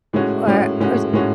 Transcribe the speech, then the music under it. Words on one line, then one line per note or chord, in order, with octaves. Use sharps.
Or or
A2 G#3 C#4 F#4
A2 G#3 C#4 F#4
A2 G#3 C#4 F#4
A2 G#3 C#4 F#4